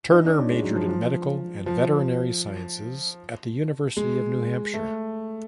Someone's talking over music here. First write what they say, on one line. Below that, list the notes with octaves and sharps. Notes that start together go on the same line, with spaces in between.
Turner majored in medical and veterinary sciences at the University of New Hampshire.
D#4
D4
C#4
G#3
F#3
F3
F3
F3
G#3
A3